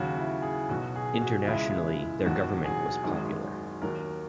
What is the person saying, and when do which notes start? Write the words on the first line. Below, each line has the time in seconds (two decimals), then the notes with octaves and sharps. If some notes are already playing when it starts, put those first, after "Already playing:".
Internationally, their government was popular.
Already playing: D#2 C#3 F#3 F#4
0.17 E4
0.42 G#4
0.69 B1 B2 F#3 F#4
0.96 G#4
1.21 F#4
1.47 C#2 C#3 E3 G#3 E4
2.26 E1 D#2 D#3 F#3 F#4
2.65 G#4
3.04 G#1 F#2 D#3 G#3
3.82 D#2 D#3 F#3 A#4